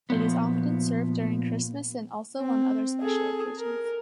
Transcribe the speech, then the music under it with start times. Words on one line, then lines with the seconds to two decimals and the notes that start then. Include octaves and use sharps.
It is often served during Christmas and also on other special occasions.
0.10 A#2 F3 B3
2.40 C4
3.01 G#4 A4
3.58 A#4